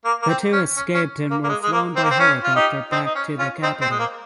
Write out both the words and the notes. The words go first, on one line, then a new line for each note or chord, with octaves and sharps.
The two escaped and were flown by helicopter back to the capital.
A#3
A#3
C4
C#4
C#4
C#4
A#3
A#3
G#3
G#3
A#3
C4
A#3
C4
C#4
F4
D#4 G4
C4 D#4
D#4
C#4
C#4 F4
C4 D#4
C4
G#3
A#3